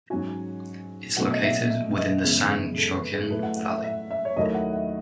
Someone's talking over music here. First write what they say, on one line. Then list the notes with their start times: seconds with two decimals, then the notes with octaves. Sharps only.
It is located within the San Joaquin Valley.
0.10 G#2 F#3 C#4 F#4 G#5
1.17 B2 F#3 A3 C#4 F#4 F#5
1.32 D#5
1.44 E5
1.70 E5
1.97 D#5
2.24 F#2 C#3 E3 G#3 B3 G#4
2.50 G#4
2.77 A4
2.95 B4
3.12 G#4
3.30 A2 F#3 A3 B4
3.43 F#5
3.57 F#5
3.70 E5
3.84 E5
4.11 E5
4.25 C#5
4.37 D#2 D#3 F#3 A3 E4 D#5
4.54 F#5
4.73 F#5